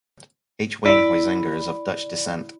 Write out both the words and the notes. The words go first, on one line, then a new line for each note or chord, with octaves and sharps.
H. Wayne Huizenga is of Dutch descent.
E4 D5 B5